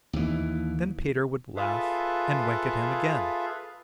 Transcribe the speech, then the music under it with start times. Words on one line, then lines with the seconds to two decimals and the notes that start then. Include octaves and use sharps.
Then Peter would laugh and wink at him again.
0.13 D#2 E3
1.56 F4 G#4 A4 B4 E5 F5